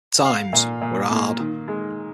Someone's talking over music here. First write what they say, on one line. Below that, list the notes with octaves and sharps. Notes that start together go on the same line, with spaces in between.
Times were hard.
F5
A#2
A#2
A#3
D#3
G#3